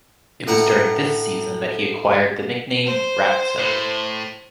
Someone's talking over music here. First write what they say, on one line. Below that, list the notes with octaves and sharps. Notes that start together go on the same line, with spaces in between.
It was during this season that he acquired the nickname "Ratso".
A2 F#5 A#5
C5
A2